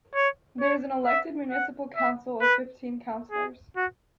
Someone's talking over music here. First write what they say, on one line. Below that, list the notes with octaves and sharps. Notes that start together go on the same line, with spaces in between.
There is an elected Municipal Council of fifteen councilors.
C#5
C#5
E5
F#5
E5
B4
G#4
F#4